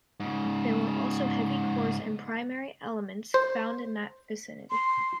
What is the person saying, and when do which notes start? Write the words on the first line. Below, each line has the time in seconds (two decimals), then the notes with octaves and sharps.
There were also heavy cores and primary elements found in that vicinity.
0.20 G#2 C#3
3.34 C5
4.71 C6